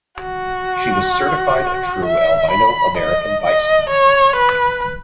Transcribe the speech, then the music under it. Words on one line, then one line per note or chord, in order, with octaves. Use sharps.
She was certified a true Albino American Bison.
F#4
E5
B5
D#5
D#5
C#5
B4